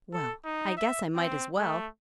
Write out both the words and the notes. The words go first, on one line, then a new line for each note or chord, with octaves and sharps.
Well, I guess I might as well.
A4
D#4
E5
C4
A3